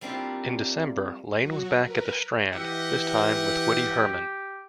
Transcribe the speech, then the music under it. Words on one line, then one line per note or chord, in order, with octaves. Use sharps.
In December, Lane was back at the Strand, this time with Woody Herman.
G3 A#3 C4 D4 E4 F4
F#3 F#4
A#4 B4
E3 G4 D#5 E5 F#5